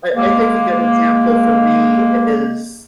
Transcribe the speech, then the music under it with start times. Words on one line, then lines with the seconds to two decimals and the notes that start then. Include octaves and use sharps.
I I think a good example for me is
0.15 G#3 A#3